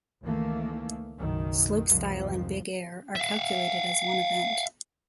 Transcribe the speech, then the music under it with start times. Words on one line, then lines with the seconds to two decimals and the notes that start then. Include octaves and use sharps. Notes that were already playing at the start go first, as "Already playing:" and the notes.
Slopestyle and Big Air are calculated as one event.
0.23 C#2 D#3 E3 A3 A#3
1.17 F#1 B1 D#3
1.86 F1 C2 F2 G#2 D#3 F3
3.16 E5 F5